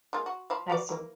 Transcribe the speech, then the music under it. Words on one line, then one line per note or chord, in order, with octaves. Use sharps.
I see.
G#3 A#3 F4
F#4
F3 F5 B5
F#4 B4 D5
E3 A#3